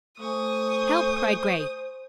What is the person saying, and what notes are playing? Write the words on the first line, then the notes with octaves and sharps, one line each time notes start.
"Help!" cried Grace.
A3 C5 G#5 C#6 D#6